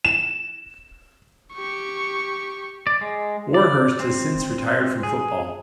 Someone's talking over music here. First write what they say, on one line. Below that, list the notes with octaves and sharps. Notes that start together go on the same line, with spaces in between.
Warhurst has since retired from football.
E7
G4 C#6
D5
G#3
D5
C4
G#4